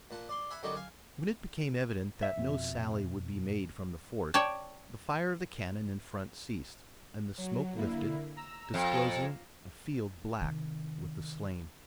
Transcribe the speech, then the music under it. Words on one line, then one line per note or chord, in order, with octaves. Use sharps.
When it became evident that no sally would be made from the fort, the fire of the cannon in front ceased, and the smoke lifted, disclosing a field black with the slain.
A#2 F#5 A5
D5 C6
E5 F#5 G#5 B5
F#2 D3 G3 D#4 F#4 G4
F5 G#5
E5
F2 B2
C#5 D5 G5 A5
F#3
D3 A#3 E4
A#5 E6
F2
C3 D#3